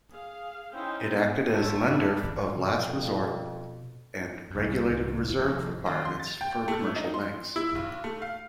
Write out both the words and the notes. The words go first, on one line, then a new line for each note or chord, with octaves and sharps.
It acted as lender of last resort and regulated reserve requirements for commercial banks.
G#4 F5
C#4 D#4 E4 C5 G5
B3
C5 C#5 E5 A5
D4 B5
F2 B2
C2 F#2
C2 G#2 E3
F1 D#2 A2
D#2
C6
A6
G5
A3
D#4
C6
E4
B1
A3
F5